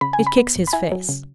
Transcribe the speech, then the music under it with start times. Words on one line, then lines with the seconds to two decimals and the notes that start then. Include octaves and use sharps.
It kicks his face.
0.01 C#3 B5
0.13 G#5
0.19 C#3
0.27 B5
0.38 B3
0.56 G#1
0.67 B5
0.73 E4 G#5
0.92 F#3
1.09 C#3